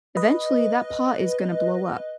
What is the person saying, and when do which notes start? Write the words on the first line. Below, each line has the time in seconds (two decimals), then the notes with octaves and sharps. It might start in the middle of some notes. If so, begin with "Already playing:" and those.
eventually that pot is gonna blow up.
0.17 B4 D#5